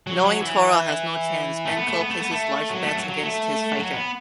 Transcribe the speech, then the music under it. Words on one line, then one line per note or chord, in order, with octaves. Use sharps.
Knowing Toro has no chance, Benko places large bets against his fighter.
F#3
F#3
E3
A3
B3
A3
B3
A3
B3
A3
F#3
A3
F#3
F#3
A3
F#3
B3